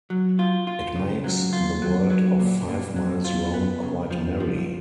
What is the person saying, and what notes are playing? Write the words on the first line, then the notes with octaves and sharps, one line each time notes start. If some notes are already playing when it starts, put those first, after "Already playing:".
It makes the world of five miles round quite merry.
F#3
F4
F4
C#3
F#3
F4
F#3
F#3
A#2
A#2
F#3
F4
B3
C#3
F3
F3